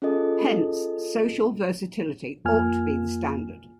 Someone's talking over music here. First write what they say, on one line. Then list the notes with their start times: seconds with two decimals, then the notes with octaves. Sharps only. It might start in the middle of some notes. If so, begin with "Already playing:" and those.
Hence social versatility ought to be the standard.
0.02 C#4 F4 G#4 A4 D#5
2.45 F2 A#3 F4 G#5 F6